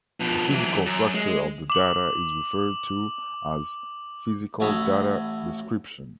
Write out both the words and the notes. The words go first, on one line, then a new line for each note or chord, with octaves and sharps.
The physical structure of the data is referred to as "physical data description".
B2 F3
E3 F#3
F#2
G#3
D6 F#7
A1 F#4 A4 C#5 B5 D#6